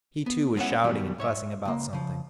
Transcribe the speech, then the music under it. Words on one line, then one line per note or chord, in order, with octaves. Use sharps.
He, too, was shouting and fussing about something.
B3
G#3 B3 C#4 E4 F#5
F#2 B2 D#3 G3
G#2 C#5 E5
C#2 A#3
C#3 F3